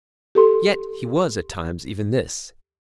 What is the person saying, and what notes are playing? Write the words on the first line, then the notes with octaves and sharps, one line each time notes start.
Yet he was at times even this.
G4 A4 C6